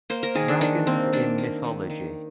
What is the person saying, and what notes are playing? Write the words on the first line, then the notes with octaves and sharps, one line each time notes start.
Dragons in mythology.
A#3 C5
A#4
D#3 G#4
D4
D#3 D4
A#3 C4
A#3 D4
A#3
D#3
D#3